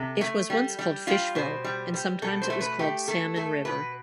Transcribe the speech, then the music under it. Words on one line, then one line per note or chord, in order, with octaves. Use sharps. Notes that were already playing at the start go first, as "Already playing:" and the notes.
It was once called "Fishville" and sometimes it was called "Salmon River".
Already playing: C3 A4
A3
G3
G3
G3 F4
B2 C5
G3
G3
B2 A4
C5
A3
B4
A3 G4
A3 A4
A3 A4
B2 B4